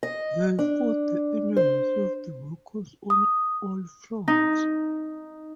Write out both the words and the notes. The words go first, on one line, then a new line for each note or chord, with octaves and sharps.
They fought the enemies of the workers on all fronts.
D#5
D4
C5
D#6
D#4